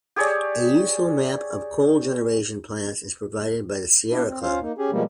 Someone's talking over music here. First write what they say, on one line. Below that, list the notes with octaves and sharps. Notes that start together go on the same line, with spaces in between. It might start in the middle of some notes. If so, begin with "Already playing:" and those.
A useful map of coal generation plants is provided by the Sierra Club.
G4 G#4 C#5 D5
B2 B3 D4 E4
C4
C#4 F4 C5 F5
A#3 D#4
C#4 G4 G#4
B2 F3 G3 G#3 A#3